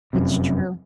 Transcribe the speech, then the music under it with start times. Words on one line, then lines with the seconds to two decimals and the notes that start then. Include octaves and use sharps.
It's true.
0.13 F1 F#2 C3